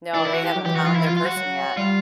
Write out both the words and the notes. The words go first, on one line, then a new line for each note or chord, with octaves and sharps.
No, they haven't found their person yet.
E3 D4
E4
F#4
G4
F#3
E3 G4
E3 F#4
F3 F4
E3 E4
F4
F3
F4
F#3 F#4
F#3
G3 F4